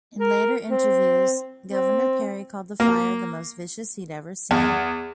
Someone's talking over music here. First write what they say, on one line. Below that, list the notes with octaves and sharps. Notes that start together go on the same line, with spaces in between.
In later interviews, Governor Perry called the fire "the most vicious" he'd ever seen.
A#4
C4
C4
A#3
E2